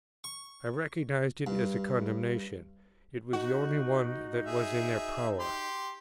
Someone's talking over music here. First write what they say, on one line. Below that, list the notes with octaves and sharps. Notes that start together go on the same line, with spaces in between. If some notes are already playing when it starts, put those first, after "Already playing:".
I recognized it as a condemnation; it was the only one that was in their power.
C#6
G2
D#4 F#4
G#4 E5
G4 C6